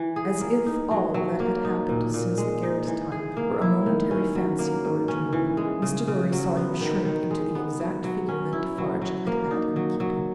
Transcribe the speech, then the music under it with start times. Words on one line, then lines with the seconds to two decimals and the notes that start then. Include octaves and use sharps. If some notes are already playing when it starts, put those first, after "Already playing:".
As if all that had happened since the garret time were a momentary fancy, or a dream, Mr. Lorry saw him shrink into the exact figure that Defarge had had in keeping.
Already playing: E3
0.16 G#4
0.41 A#3
0.66 D#4
0.91 F#3
1.14 F#3
1.40 A#3
1.65 D#4
1.89 A#2
2.14 A#2
2.38 G#3
2.63 D#4
2.87 E3
3.12 G#4
3.37 A#3
3.62 E4
3.86 D#3
4.11 C#4
4.35 F#3
4.59 A#3
4.85 G#2
5.08 C#4
5.33 E3
5.57 G#3
5.82 C#3
6.08 C#3
6.32 F#3
6.57 B3
6.81 D#3
7.05 D#3
7.31 G#3
7.55 B3
7.80 F#3
8.04 F#3
8.28 C#4
8.53 E4
8.78 F#3
9.02 F#3
9.27 A#3
9.51 D#4
9.76 F#3
10.00 F#3